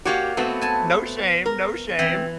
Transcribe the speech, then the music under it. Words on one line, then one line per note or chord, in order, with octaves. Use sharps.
No shame, no shame.
A#3 F#4 G4 C#5 D5
A3 B3 C4 F#4
G#5 A5
A#4
E3 C4